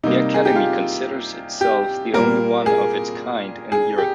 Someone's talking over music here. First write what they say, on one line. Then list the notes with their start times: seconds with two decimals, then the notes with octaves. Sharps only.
The academy considers itself the only one of its kind in Europe.
0.04 C3 G3 A#3 D#4
0.34 G#4
0.45 G4
0.56 F4
1.61 G4
2.14 A#2 G3 A#3 A#4
2.66 G#4
3.72 G#4
3.98 G4